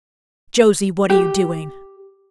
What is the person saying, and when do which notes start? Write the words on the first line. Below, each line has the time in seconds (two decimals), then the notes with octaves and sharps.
"Josie, what are you doing?"
1.10 G4